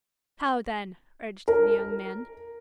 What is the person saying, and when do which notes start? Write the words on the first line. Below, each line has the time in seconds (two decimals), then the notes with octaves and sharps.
'How then?' urged the young man.
1.48 A#4